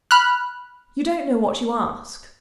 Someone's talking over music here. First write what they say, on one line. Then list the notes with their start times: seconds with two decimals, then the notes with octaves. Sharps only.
"You don't know what you ask."
0.11 B5 F6 F#6